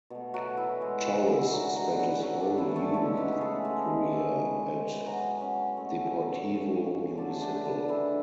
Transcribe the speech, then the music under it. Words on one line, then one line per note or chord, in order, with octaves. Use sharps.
Torres spent his whole youth career at Deportivo Municipal.
B2 A3
F#3 F#4
E3 E4
G#3 G#4
F#3 F#4
E3 E4
D3 F#3 G#3 F#4
F#3 F#4
E3 E4
C#4
D4
E3 E4
A3 A4
C#3 G#3 C#4 C#5
B3 B4
G#4
A3 A4
G#3 G#4
B2 G#3
F#3 F#4
C#4
B2 A3
D3 A3 D4
D4
D4
E3 E4